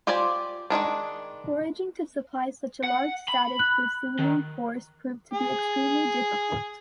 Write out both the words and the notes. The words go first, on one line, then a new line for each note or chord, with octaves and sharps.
Foraging to supply such a large static besieging force proved to be extremely difficult.
F4 G4 C5 D5 G#5
D#3 F#3 G#3 D4
F#5
B5
F#6
D#3
G#4